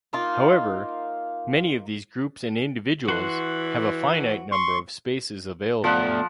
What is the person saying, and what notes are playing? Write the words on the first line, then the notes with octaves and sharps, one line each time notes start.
However, many of these groups and individuals have a finite number of spaces available.
A#3 D#4 F4
E3 F#4 C6 F#6
C6 C#6
F3 A3 B3 D5 F#5